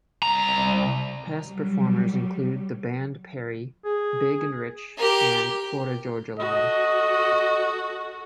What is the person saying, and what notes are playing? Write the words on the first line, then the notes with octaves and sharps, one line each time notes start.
Past performers include The Band Perry, Big and Rich, and Florida Georgia Line.
C2 A#5
F#3 G3
G#4
G4 A#4
F#4 A4 D#5